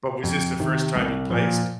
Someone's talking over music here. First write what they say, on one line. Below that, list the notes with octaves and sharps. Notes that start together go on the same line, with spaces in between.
But was this the first time you placed?
F2
C3 D#3
C2
A#2 F3